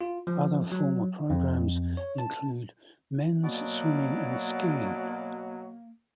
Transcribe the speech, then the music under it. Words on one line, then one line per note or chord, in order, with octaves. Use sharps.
Other former programs include men's swimming and skiing.
F4
F3
F#3
F2
C#5
A5
B2 F#3 A#3 D5